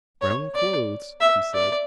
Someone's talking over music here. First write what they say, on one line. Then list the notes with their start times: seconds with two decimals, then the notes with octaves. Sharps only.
"Brown clothes?" he said.
0.21 C#5
0.55 D5
1.20 E5
1.54 D5